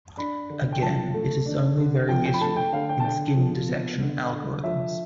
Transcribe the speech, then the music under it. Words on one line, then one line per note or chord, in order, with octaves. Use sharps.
Again, it is only very useful in skin detection algorithms.
D4 B5
D3
G5
F3 A5
A3
D4
D3
F3 G5
G5
B5
A3 A5
G5
D3 F5
G5
A5
D3 G5
F3
B3
D3
D3
F3 E5